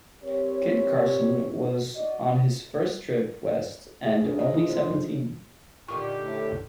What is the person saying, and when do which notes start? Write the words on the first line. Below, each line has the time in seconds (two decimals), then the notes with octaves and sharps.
Kit Carson was on his first trip west and only seventeen.
0.22 G3 C4 G4 A#4 C#5
1.95 F#4 D5 D#5
4.06 G#4
4.25 D4
4.39 D#5
4.54 F4
4.70 C5
4.90 F#3
5.88 A#2 D3 D#3 F4 G4 C#6
6.22 A2